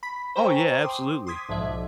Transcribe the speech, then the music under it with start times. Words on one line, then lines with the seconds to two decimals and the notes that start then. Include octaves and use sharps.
Oh, yeah. Absolutely.
0.03 B5 B6
0.36 C5 G5 G#5 A#5 C#6
0.81 G5 C6 D6 D#6
1.27 C6 D6 D#6 G#6 B6
1.49 B1 G#2 F3 D5 E5